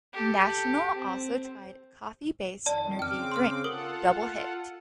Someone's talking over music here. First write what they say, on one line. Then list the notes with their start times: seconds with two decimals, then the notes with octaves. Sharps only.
National also tried a coffee-based energy drink, Double Hit.
0.13 G4 A4
0.97 C4
2.66 F2 D#3 D5 A5
2.99 C#3 C4 G5 D6 F6
3.32 C6 F6
3.64 F4 A4 A#4 F#5 D#6 G7